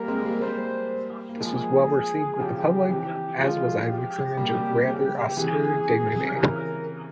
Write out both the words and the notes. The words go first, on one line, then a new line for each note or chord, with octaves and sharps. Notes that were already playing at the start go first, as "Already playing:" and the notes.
This was well-received with the public, as was Isaacs's image of rather austere dignity.
Already playing: G3 A#3 A#4
G#3 C4
G3 A#3
G3 A#3 C5
A#3
F3 G#3 G#4
C#3 F3 G4
C#3
C3 E3 G4
F3 G#3 F4
G4
G3 A#3
G3 A#3
C3
C#3
C3 E3 G#4
C3
C#3
C3 E3 A#4